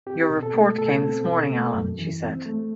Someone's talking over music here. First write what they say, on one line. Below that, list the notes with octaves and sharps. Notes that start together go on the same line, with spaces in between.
"Your report came this morning, Alan," she said.
C4 G4
B2
A4
A3
B2 A4
C4
B2
A3
F#2
E3
C4
A3